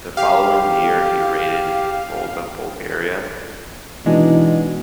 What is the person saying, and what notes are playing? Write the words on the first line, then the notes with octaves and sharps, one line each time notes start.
The following year he raided Volga Bulgaria.
G4 F5
B2 E3 G#3 D4 D#4